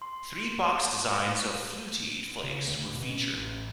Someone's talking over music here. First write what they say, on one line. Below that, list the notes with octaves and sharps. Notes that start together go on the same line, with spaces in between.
Three box designs of Flutie Flakes were featured.
C6
C#3
D2
B2
C#4
A1